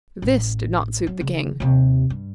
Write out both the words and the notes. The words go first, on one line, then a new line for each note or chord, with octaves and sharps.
This did not suit the king.
A1
F#3
C#3
D#2 C3
G2